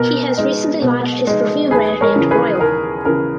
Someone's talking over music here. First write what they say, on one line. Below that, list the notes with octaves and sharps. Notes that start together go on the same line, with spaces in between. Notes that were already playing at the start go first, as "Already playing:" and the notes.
He has recently launched his perfume brand named "Royal".
Already playing: B2 A#4
G#3 D#4
B2
G#3 D#4
D#2 G#4 B4
A#4 C#5
C#3 E3
G#4 B4
D#2 A#4
C#3 E3 A#4